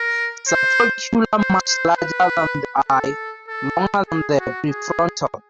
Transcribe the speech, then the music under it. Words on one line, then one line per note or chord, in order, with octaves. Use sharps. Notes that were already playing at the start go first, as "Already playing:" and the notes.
Supraocular much larger than the eye, longer than the prefrontal.
Already playing: A#4
C5
C5
C5
B4
A4
A4
G#4
F#4
G#4